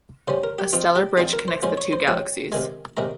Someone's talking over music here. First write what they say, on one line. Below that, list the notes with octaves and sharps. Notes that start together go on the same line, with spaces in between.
A stellar bridge connects the two galaxies.
C#3 G3 C#4 C5
A#4
G4
F3 C4 D#4 F4
G4
F3 C4 D#4 G#4
A#4
C5
F3 G#3 C#4 C5
C#5
C5
F3 G#3 C#4 G5
C3 D#3 G#3 G#5
C3 D#3 G#3 A#5